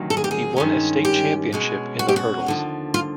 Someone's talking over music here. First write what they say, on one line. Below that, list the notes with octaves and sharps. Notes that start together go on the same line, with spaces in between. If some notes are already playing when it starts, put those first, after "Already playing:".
He won a state championship in the hurdles.
Already playing: D2 C3 D#3 F#3
A4
G#4
G4
G#4
G2 D#3 G#3 C#4
G4
B2 G#3 C#4
F#4
G4
F#4
D#2 D3 F3
F4